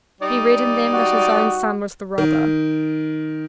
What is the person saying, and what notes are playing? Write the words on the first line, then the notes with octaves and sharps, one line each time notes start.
He read in them that his own son was the robber.
G3 D#4 D5
F#4
D#3